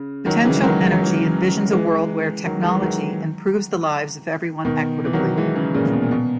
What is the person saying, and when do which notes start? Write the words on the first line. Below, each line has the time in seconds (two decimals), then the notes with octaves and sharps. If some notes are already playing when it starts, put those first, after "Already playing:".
Potential Energy envisions a world where technology improves the lives of everyone equitably.
Already playing: C#3
0.26 D#3 F#3
0.44 C#3 E3
0.56 G#3
0.63 D#3 F#3
0.81 G#3
0.92 F#3
1.03 E3 G#3
1.72 E3 G#3
2.45 D#3 F#3
2.63 E3 G#3
2.75 G#3
2.82 D#3 F#3
4.65 B2 D#3
5.05 E3
5.13 D#3 F#3
5.37 E3 G#3
5.55 C#3 E3
5.74 A#2 C#3
5.92 B2
6.02 A#2
6.11 B2